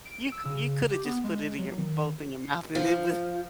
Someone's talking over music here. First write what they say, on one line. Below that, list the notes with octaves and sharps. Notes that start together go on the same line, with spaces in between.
you c you coulda just put it in your both in your mouth and it was
D7
E6
C#3
G4
B3
G#3
F#3
D#3
F3